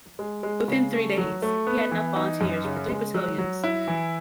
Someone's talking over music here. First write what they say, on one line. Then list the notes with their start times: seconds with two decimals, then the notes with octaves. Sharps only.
Within three days, he had enough volunteers for three battalions.
0.19 G#3
0.43 G#3
0.68 C#3
0.93 A3
1.18 F#3
1.42 A3
1.67 B3
1.92 E3
2.16 D#4
2.41 F#2
2.65 C#3
2.89 G#3
3.14 F#3
3.38 F#3
3.64 E4
3.88 E3